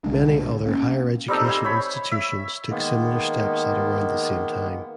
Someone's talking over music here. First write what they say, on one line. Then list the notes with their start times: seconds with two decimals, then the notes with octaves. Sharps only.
Many other higher education institutions took similar steps at around the same time.
0.04 C2 D3 G#3 D4
0.66 A#3 C#4
1.28 G3 C4 D#4 A4
1.45 C5 E5 G#5
1.64 C#5 B5
2.11 E5
2.70 D#3 G#3 A#3 B3